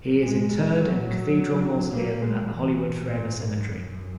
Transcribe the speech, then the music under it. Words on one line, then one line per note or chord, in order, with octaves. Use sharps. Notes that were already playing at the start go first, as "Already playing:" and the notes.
He is interred in the Cathedral Mausoleum at the Hollywood Forever Cemetery.
G#3
F#3
A#3
G#3
E3
A#2
G#2
F#2